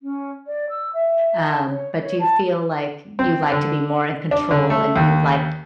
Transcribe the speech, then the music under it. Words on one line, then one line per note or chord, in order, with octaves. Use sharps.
um, but do you feel like, you like to be more in control, and you like
C#4
D5
E6
E5
A5
C#5
C#5
A5
C4
D3
D4
D3
A3
D#2